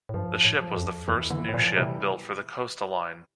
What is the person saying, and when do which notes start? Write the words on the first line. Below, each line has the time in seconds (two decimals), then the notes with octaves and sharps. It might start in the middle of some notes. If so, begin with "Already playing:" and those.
The ship was the first new ship built for the Costa Line.
0.09 A2
0.14 G2 F3
0.44 A2
0.61 F3
0.76 F2
1.08 F2 E3
1.30 D3 E3
1.49 A2
1.54 A#2 F3
1.77 C3 E3 G3